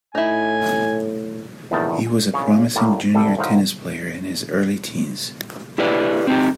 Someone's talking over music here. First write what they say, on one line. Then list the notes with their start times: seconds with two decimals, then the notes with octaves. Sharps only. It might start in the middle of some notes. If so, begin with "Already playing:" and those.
He was a promising junior tennis player in his early teens.
0.15 A2 D#4 E4 G#5
1.71 A#1 E2 A2 D#3 A5
2.07 G#5
2.33 A#1 C#3 C#5
2.75 A2 G3 A#3
3.15 C2 G3 A4
3.37 G#1 A2 C4 D#4 F5 F#5
5.78 E4 G4 B4 D5
6.27 C4 D#4 G4